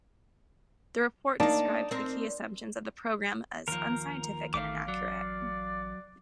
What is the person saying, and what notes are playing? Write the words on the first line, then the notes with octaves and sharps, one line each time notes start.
The report described the key assumptions of the program as unscientific and inaccurate.
A#3 D4 D#4 D5 A5
C4 A#4
D#2 F3 A#4
A1 D#3 A3 F5 D6
F#3 D5